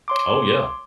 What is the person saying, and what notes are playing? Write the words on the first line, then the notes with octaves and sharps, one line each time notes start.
Oh, yeah.
C#5 C6 D6